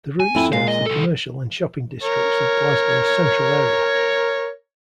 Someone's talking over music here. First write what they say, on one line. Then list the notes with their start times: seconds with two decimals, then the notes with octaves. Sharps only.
The route serves the commercial and shopping districts of Glasgow's central area.
0.20 G#5
0.35 F2 E4
0.53 A#2 G#3 F5
0.68 D#5
0.86 C2 A4
2.03 A#4 C#5